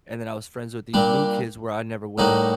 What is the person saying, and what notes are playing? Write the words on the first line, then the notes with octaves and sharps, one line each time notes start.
and then I was friends with these new kids where I never would've
A#2 G3 D4
A2 G3 A#3 D#4 F#4